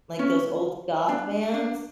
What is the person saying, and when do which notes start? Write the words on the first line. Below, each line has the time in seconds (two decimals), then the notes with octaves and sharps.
like those old goth bands.
0.19 C#4
1.09 D4
1.54 D4